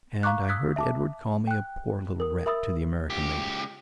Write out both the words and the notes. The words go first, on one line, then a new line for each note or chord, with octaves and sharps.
And I heard Edward call me a poor little rat to the American lady.
F5 A#5 C#6 D6 F#6
D#6 E6 F#6 G#6 B6
E5 A5 D6
G5 F#6
A#4 D#6
A#4 E5 B5 D#6 E6 A6
C#2 G4